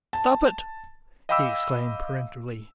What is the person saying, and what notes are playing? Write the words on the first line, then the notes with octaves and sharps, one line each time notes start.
"Stop it!" he exclaimed peremptorily.
A5
D#5 F5 G5 B5 D6 E6